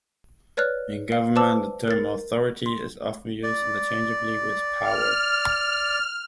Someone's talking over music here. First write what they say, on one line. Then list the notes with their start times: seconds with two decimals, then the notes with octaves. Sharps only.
In government, the term "authority" is often used interchangeably with "power".
0.57 B4 C#5 D5 F6 F#6
1.12 F5
1.36 B4 C5 D5 A5 D6 E6
1.88 A#4 A6
2.66 C6
3.43 D5
4.82 F6